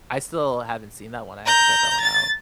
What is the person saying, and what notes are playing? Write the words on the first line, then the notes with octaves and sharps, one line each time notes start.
I still haven't seen that one, I have to check that one out.
A#5 G6
A6